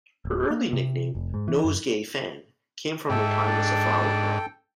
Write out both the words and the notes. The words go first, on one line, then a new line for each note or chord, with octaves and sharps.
Her early nickname, Nosegay Fan, came from her time as a flower girl.
D1
A#3
C3
F1
G#2
E3
F#2
G#2 A4 E5 G5
D4